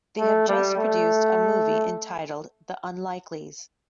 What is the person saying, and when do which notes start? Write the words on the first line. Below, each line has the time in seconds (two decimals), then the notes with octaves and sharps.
They have just produced a movie entitled The Unlikeleys.
0.19 A3
0.48 G3
0.77 A3